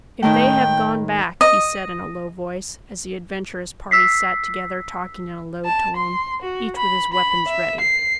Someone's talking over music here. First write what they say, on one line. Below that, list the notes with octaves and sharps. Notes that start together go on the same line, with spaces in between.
"If they have gone back," he said, in a low voice, as the adventurous party sat together talking in a low tone, each with his weapons ready.
A2 D#3 A3 G5
D#5
E6 B6 C7
A5
C6
F#4
B5
B5
E5
C7